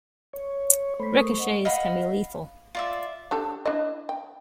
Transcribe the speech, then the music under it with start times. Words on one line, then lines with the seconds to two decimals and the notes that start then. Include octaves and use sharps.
Ricochets can be lethal.
0.33 C#5
1.00 A3 C5 B5 B6
1.17 A#4 C#6 D#6
1.39 D#5 F#5
1.65 D#5 F5 F#5 B5
2.75 F4 D5 E5
3.31 D4 G4 A4
3.66 D4 E4 D#5
4.09 G5